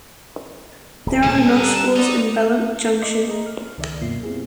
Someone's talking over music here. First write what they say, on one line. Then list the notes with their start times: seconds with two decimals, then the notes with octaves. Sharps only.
There are no schools in Bella Junction.
1.06 D1
1.23 A#2 D3 G#3 B3 A5
1.47 G3 A4 A#4 F#6
1.96 B3 C4 D#4 D5
3.02 D#5 E5 C6 D6
3.27 G#4 D#5 A#5
3.46 F6
3.78 C#2 D#3 D5 E5
4.01 F#2 B2 A#3 F4 C7
4.23 B3 C4 E4 G4 G#4